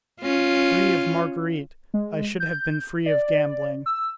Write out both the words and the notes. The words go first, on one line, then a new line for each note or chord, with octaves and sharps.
Free of Marguerite, I should have been free of gambling.
C#4 F4
G#3
G6
D5
E6